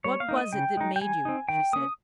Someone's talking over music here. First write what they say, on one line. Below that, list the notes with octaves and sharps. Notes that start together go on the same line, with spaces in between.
"What was it that made you?" she said.
G3 C#5
F5
A#3 D#4
D#5
C#3 G5
G#3 D#4
G5
G3 G#5
C4 D#4
D#3 G5
A#3 C#4 D#6